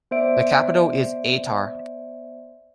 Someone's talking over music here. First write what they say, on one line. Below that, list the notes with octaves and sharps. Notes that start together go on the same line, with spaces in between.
The capital is Atar.
B3 C5 D5 E5 D7